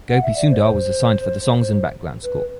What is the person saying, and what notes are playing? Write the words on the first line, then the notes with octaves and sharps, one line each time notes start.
Gopi Sundar was assigned for the songs and background score.
F#5
E5
D5
C5
B4